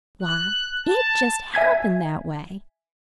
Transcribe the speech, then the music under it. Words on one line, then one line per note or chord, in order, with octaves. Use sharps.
Why, it just happened that way.
F#6
A5
E5 G#5 G#6 B6